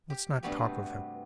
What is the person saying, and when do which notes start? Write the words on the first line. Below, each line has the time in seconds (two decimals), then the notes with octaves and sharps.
Let's not talk of him.
0.10 G4
0.43 G2 C3 A3 B3 F#4 G4